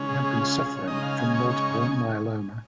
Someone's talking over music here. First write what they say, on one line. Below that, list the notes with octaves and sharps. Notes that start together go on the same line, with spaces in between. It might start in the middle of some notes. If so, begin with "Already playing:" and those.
He had been suffering from multiple myeloma.
Already playing: C#3 G#3 C#4
G#4
G#4
F4
F4
G#4
C#5
C#3 G#3 D#4 D#5
F5
G#5
C#6
C#6
C#6
G#5